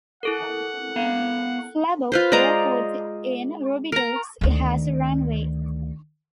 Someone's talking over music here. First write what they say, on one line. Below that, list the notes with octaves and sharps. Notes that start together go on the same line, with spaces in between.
Flabob Airport in Rubidoux has a runway.
E4 A4 A#4 F#5
B3 F5
F4 B4 C5
G#3 D5 D#5 A#5
A#4 A#5
D2 D#3